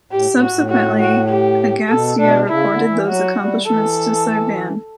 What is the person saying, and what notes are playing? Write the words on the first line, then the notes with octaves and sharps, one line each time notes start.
Subsequently, Agastya reported those accomplishments to Sivan.
A2 G4
A2
F#4
A2
F#4
F#4
G4
B2 A4
B2 D4
C#3 E4
D3
E3
F#3 F#4
G3
E3 A4